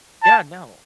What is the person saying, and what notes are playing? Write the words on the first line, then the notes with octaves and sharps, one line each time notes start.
Yeah, no.
A5